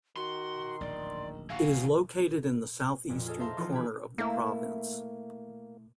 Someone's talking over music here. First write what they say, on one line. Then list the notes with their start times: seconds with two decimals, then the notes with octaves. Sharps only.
It is located in the southeastern corner of the province.
0.17 D#3 F#4 C6
0.81 D1 A#1 D5
1.50 E3 F#4 F5
3.09 F2 A#2
3.26 F4 G#4 A4 D#5 F6
3.39 C5 E5 F5 A5 A#5 C6
3.57 E3 F3 B3 D#4 F4 A4
3.72 G4 G#4 G#5 B5
4.18 A3 A#3 E4